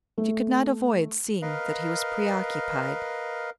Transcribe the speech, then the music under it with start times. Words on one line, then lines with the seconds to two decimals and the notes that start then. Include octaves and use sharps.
She could not avoid seeing that he was preoccupied.
0.18 A3
1.42 A#4 B4 D#5 F5